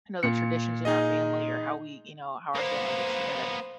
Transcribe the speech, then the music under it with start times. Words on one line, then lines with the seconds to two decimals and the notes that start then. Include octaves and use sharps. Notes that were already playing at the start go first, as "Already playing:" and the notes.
you know, the traditions in our family or how we, you know, how our family gets together.
0.23 A#2 C#7
0.85 D#4 G#4 D#5
2.55 A#3 B3 C5